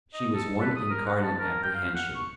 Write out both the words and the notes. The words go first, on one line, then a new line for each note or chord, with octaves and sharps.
She was one incarnate apprehension.
D#5
A4
B4
D#6
A#4
F#5
A5
A#4
G5
F5
F#5
C#6